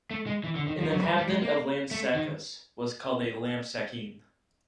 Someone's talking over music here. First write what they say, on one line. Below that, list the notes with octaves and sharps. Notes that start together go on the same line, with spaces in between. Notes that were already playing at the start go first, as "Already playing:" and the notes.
An inhabitant of Lampsacus was called a Lampsacene.
A3
G#3
E3
D3
D#3
F3
F#3
G3
G3
G#3
A#3
A3
D#3